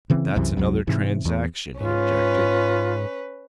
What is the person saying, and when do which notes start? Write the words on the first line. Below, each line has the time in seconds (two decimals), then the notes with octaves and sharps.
"But that's another transaction," he objected.
0.10 C#3 E3 C4
0.36 C2 F#2 C3 E3
0.57 C2 F#2 F#3
0.87 G#2 C3 E3
1.25 E2
1.80 G#2 C#4 F4 B4